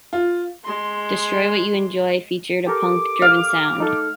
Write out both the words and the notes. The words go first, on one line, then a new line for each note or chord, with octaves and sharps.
"Destroy What You Enjoy" featured a punk-driven sound.
F4
G#3 C6
G4 A4 A#4 D6
F5
G#3 D#4 A4